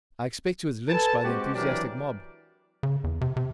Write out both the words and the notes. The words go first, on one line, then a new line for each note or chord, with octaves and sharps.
I expect he was lynched by the enthusiastic mob.'
A4 B4 G#5 A5
G#3 C4 F#4 G4
E3 F#3 D4 G4 A#4 D5
C#3
E2
C3
C3